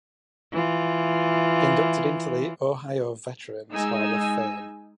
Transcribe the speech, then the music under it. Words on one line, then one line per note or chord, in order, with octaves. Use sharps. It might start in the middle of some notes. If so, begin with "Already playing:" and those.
Inducted into the Ohio Veterans Hall of Fame.
E3 F4
G#3 D#4 G#5 E6